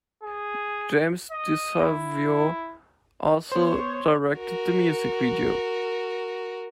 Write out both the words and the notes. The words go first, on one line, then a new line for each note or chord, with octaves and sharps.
James Di Salvio also directed the music video.
G#4
D#5
E4
B3 C5 C#5 C6
F#4 A#4